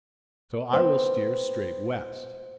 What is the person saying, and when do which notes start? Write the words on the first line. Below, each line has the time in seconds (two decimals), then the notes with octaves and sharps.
So I will steer straight west.
0.73 B3 C4 C5